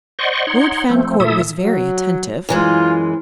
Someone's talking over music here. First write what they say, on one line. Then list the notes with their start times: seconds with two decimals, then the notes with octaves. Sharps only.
Lord Fancourt was very attentive.
0.19 C5 D5 D#5 F#5 C6 C#6
0.47 D#4 C#5 F#5 C6
0.90 F3 A3 C4
1.20 A#2 A3 E4 A4 E5 D#6
1.54 F#3
2.49 F#2 E3 G#3 F4